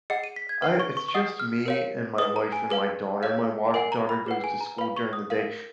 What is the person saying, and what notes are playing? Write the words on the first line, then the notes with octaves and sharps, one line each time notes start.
I it's just me and my wife, and my daughter, and my wa daughter goes to school during the day,
G#4 D#5 F#5 C#7
D#7
B6
G#6
B4 F#5 F6
C#6
C#6
C#6
G#4 D#5 F#5 D#6
F6
A#4 C#5 F5
G#4 B4 D#5 D#6
A#5
G#5
G#4 B4 F5
G#4 C#5 F5
A#4 D#5 F#5 G#5
A#5
B5
G#4 B4 F#5
G#5
A#5
B4 F5 B5
C#6
D#6
A#4 F5